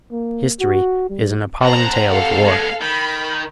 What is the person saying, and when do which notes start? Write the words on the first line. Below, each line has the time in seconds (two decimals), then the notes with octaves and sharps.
History is an appalling tale of war.
0.12 A#3
0.60 F#4
1.10 G3
1.63 C3 C5 F#5 A5 A#5
2.06 A4 F5
2.45 G#3 B3
2.81 D#3 B5